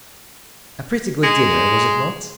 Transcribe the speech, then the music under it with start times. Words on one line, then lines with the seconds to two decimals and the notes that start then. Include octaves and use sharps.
A pretty good dinner, was it not?
1.23 G#3